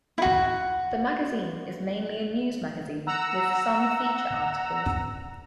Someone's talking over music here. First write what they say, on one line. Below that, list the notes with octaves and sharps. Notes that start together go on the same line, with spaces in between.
The magazine is mainly a news magazine, with some feature articles.
E4 F#4
F#5 A#5 E6